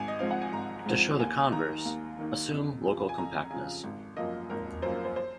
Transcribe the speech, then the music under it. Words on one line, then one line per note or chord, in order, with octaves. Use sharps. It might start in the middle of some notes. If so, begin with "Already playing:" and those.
To show the converse, "assume local compactness".
Already playing: G#1 G#5
D#5
G#2 F3 C4 F5
F#5
G#5
G#1 A#5
G#2 F3 C4
D#2 G#5
D#3 A#3 D#4 A#5
D#2
D#3 A#3 D#4
F2
C#3 F3
G#5
F2 A#5
C#3 F3 G#5
G#1
F#2 F3 A#3 D#5
G#1 A#4
F#2 F3 A#3 C5
A#4
C5
C5